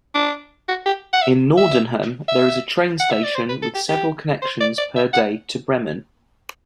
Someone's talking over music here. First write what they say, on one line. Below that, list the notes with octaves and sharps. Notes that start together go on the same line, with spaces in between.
In Nordenham there is a train station with several connections per day to Bremen.
D4
F#4
G4
F#5
E5
E5
E5
F#5
E5
D5
C5
B4
A4
G4
G4
C5
D5
D5
E5
F#5